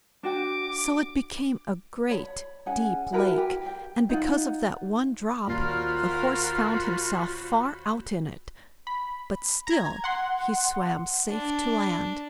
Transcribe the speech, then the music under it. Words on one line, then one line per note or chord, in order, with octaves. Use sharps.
So it became a great deep lake; and because of that one drop, the horse found himself far out in it, but still he swam safe to land.
D4 F#4 G5 D6
C#5 B5
C#4 G#4 F#5 G#5
E4 F#4 A#4 B4
G4
G5
D#4 F4 F#5
D#2 A#2 F4 F#4 A#4 C5 B5 C7
B5
A#5 G#6
F#5 C6
D4